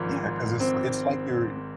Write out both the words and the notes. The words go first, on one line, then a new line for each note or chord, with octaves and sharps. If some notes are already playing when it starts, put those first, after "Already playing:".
Yeah, 'cause it's li it's like you're
Already playing: G#1 G#2 F3
C4